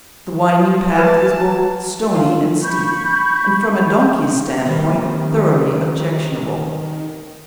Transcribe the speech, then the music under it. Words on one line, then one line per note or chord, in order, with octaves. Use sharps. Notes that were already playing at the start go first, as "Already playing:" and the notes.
The winding path was both stony and steep, and, from a donkey's standpoint, thoroughly objectionable.
B4 A5
F4
B5 C#6 G6
D#3 G3 A#3 C4